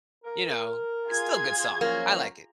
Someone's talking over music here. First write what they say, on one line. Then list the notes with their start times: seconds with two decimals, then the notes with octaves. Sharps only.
you know, it's still a good song. I like it.
0.24 A#4
1.08 F4 G#4 G#6
1.81 F3 F#3 A#3 C#4